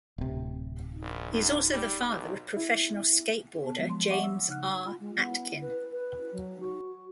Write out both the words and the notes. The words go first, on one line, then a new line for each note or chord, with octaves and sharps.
He is also the father of professional skateboarder James R. Atkin.
D1 C3
A#1
F#2
G3
B1
E4
B3 A5
F3 F#3 G#3 A#3 B3
C6
E5 F#5 B5 C#6 D6
E6
C#3 D#4 F#5 F6 F#6
F4
G#3
B3
B4
B4
F#3
F#4